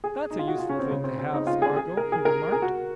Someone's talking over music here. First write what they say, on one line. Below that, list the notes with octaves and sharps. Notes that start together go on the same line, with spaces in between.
"That's a useful thing to have, Spargo," he remarked.
G#4
D#4
F4
F#4
F4
C#4
C4
C#3
C4
C4
D#4
F4
G#4
G#4
A#4
G#4
A#4
G#4
F#4